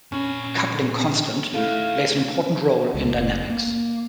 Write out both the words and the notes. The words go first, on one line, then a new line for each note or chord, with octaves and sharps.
A coupling constant plays an important role in dynamics.
A#2 C#4 B5
A3 D#4 E4 G4 A4 F5
C#2
F#1
A#3